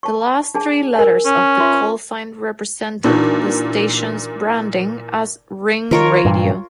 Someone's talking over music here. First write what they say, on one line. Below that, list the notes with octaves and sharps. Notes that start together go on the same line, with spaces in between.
The last three letters of the callsign represented the station's branding as "Ring Radio".
A5 C#6
D4 G#4 A5
A#4 G#5
C#4
F4 E5 C6
A#2 E3 D4 D#4 F#4
D#3 F4 A#4 C#5
G2 A#2 E3